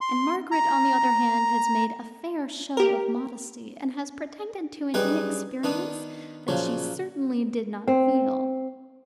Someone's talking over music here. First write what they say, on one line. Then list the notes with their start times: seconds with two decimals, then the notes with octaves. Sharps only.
And Margaret, on the other hand, has made a fair show of modesty, and has pretended to an inexperience that she certainly did not feel.
0.01 C6
0.51 A#5
2.77 G4 A#4
4.94 F#2 G3 D#4 G#4 B4 G5
5.64 D#3 B3 D4 D#4
6.48 A#2 C#3 F3 F#3
7.88 C4